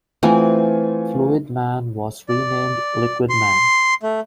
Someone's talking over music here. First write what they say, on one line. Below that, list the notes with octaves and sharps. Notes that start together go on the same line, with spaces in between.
Fluid Man was renamed Liquid Man.
E3 A3 C4 F4 G#5
D5
C6
A3